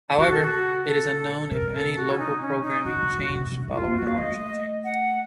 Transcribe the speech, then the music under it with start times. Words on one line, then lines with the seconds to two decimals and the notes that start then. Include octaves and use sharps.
However, it is unknown if any local programming changed following the ownership change.
0.18 C#3 F#4
0.31 A4
0.44 F#4
0.85 A4
1.51 C3 A#4
1.74 A4
1.96 F#4
2.11 C#4
2.18 D#4
2.41 C#4
2.62 D#4
2.84 C#3 F#4
3.02 C#3
3.19 C#3
3.35 C3
3.51 C#3
3.68 A3
3.74 F4
3.84 A#3
3.96 F#4
4.02 A#3
4.07 F5
4.18 A3 D#5
4.84 F#5